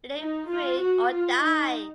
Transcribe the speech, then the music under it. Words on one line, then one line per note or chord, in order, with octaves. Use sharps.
Live free or die!
D#4
F4
F#4
F4
D#4